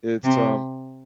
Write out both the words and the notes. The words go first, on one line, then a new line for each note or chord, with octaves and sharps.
it's, um,
C3